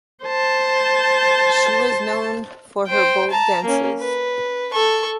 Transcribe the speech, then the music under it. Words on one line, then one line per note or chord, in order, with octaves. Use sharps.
She was known for her bold dances.
C5 A5
C5 G5
A5 A#5
A#3 C#4
B4
A4 C#6